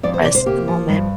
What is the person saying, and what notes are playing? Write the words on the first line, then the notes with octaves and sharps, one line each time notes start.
as the moment.
F2 D5
C5
C3 D5
C5
A#3 G4
F3
G2